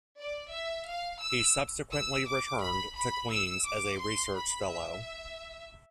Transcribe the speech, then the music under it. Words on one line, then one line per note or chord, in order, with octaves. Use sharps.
He subsequently returned to Queens' as a research fellow.
D5
E5
F5
E6
E6
D6
B5
B5
E6
D6
C6
B5
E5